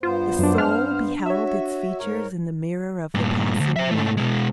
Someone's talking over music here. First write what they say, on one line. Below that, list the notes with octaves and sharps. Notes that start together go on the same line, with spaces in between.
The soul beheld its features in the mirror of the passing moment.
G2 B3 F4 C5
F#2 D4
D4 F6
F#4 C#5 E5
G#2 A#4 C#5
G2 A#2
D2 G2
C5 E5
G#2 A3
B2 G#3